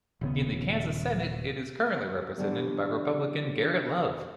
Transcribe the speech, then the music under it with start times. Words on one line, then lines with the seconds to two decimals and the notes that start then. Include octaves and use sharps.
In the Kansas Senate it is currently represented by Republican Garrett Love.
0.21 D#1 C#3 B3
2.37 D3 E3 F#3 G3 B3